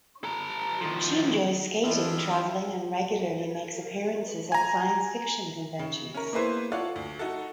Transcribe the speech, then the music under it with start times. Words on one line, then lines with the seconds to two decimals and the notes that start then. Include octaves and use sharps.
She enjoys skating, traveling and regularly makes appearances at science fiction conventions.
0.24 A4 A#5
0.81 D#3 F3
1.84 E3 F3 C4 D4 E4 A4 D#5 G5
4.52 G#5 A#5
5.79 C#3
6.14 C#4 A#4
6.33 A#3 B3 E4 G#4 B4 C5
6.72 F4 A4 C#5 D5 F5 F#5
6.96 D2
7.19 D#4 F#4 A4